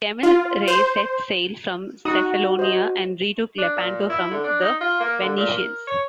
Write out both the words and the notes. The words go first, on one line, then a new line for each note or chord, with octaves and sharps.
Kemal Reis set sail from Cefalonia and retook Lepanto from the Venetians.
F4
C5
D#4 F#4 D#6
C5 D#5
D4
A#2
E4
D3
D4
D#4
F4
A#3
D3
A#2
A#4
C#5